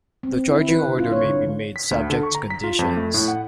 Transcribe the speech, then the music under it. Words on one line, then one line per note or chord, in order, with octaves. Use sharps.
The charging order may be made subject to conditions.
C4
E4
B4
D3
F4
C#5
D3
B6
D2
D3
C#6
A#5
B6
F4
F2
A3
A2
F#5